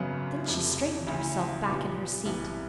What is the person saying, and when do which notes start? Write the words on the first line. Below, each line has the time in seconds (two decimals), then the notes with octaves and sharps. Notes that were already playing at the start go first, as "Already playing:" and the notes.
Then she straightened herself back in her seat.
Already playing: G#1 F#2 C#3 F#3 B3
0.47 F1 F2 C3 F3
1.07 D2 C#3 E3
1.66 B1 A#2 G3 B3 D#4
2.25 C2 C3 E3 G3 B3